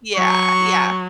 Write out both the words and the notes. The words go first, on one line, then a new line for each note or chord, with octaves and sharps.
Yeah, yeah.
F#3 C#6